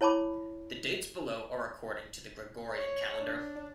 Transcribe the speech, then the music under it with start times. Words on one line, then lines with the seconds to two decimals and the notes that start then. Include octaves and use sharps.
The dates below are according to the Gregorian calendar.
0.01 E4 C#5 A5 B5 D6
2.75 C#5
3.20 D4